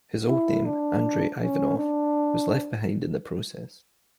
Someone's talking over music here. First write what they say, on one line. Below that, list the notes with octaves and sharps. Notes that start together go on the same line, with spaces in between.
His old name, Andrei Ivanov, was left behind in the process.
E4
D4
C#4
D4